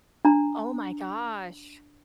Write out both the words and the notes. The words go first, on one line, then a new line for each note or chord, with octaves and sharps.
Oh my gosh.
D4 A#5